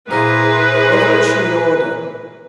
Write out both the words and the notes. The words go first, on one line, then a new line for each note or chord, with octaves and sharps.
Revolutionary order.
A#2 E4 G#4 B4 C5 A#5